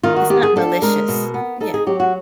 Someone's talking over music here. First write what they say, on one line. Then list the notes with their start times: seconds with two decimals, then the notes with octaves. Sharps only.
It's not malicious, yeah.
0.03 D#3 F4
0.16 F#4
0.30 B3 G4
0.43 G#4
0.56 D4 A4
0.82 G#3 A#4
1.08 B2
1.34 B3
1.60 D#4 A4
1.74 G#4
1.87 F#3 G4
2.00 F#4